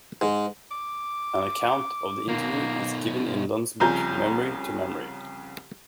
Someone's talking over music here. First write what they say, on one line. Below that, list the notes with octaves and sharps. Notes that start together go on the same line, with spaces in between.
An account of the interview is given in Lunn's book "Memory to Memory".
G#2
D6
B2 D#3 A#3
C2 C#3 F3 G#5 A#5 G6